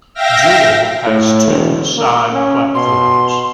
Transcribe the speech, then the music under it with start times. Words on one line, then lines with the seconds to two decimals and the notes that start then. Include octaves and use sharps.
Jewell has two side platforms.
0.14 E5 F5 G5 A#6
1.07 A2
1.47 E1
1.96 A#3
2.32 C#4
2.75 B2 C6